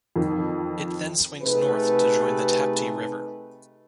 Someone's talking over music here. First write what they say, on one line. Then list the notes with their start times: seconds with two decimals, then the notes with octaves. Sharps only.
It then swings north to join the Tapti River.
0.16 F2 D#3
1.43 C3 A3 D#4 G4 G#4 B4